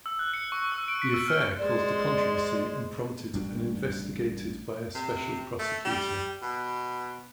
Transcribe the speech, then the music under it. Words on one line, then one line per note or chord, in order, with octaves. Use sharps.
The affair caused a controversy and prompted an investigated by a special prosecutor.
E6
F#6
C#7
C#6
E6
D7
B6
E6
F6
G#3 C5 D5
A1 G3 D4
C3
A3
G3
B2